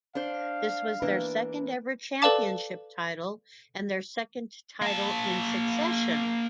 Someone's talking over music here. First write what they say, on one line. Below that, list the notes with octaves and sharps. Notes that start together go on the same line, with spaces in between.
This was their second ever championship title and their second title in succession.
D4 C5 F5
E3 A#3 D4 B4
A4 B4 D5 F5 A5 D6
A#3 A5